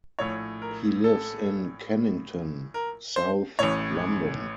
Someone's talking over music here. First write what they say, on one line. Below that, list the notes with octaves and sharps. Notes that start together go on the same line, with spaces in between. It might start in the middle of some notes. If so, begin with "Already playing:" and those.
He lives in Kennington, south London.
A#1 A2 C#5
A#4
A4
A#4
C5
A1 A2 C#5